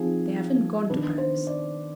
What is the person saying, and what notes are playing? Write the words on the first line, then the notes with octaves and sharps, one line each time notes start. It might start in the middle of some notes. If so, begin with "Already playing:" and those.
They haven't gone to Paris.
Already playing: F3 C4 D#4 G#4
D#3 B3 D4 B4
C5
D5